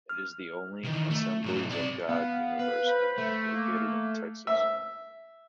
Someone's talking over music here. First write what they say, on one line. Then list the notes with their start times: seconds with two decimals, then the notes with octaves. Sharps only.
It is the only Assemblies of God university located in Texas.
0.09 F6
0.85 D#3 E3
1.10 A3
1.44 G#2 F#3
1.71 C4 D5
2.09 B3 F5
2.59 B4
2.87 C5 B5
3.18 A3
3.53 A#3
4.47 E5